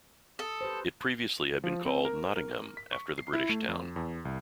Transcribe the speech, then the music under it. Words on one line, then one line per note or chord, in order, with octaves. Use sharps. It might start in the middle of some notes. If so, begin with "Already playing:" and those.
It previously had been called Nottingham after the British town.
A4 D#6
G4 B4 C5
F3
C4
A#4
A#4
B6
C#6
C7
E4
A3
F2
E2
C2